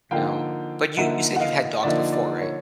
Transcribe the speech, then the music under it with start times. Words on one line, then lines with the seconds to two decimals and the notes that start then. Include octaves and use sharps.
No. But you you said you've had dogs before, right?
0.11 D3 F3 A#3 D#4 F5 G5
0.97 D3 F3 A#3 D#4 E5 F#5
1.36 F#5
1.40 D#5 F5
1.83 D3 F3 A#3 D#4 D5 E5
2.13 D5
2.42 C#5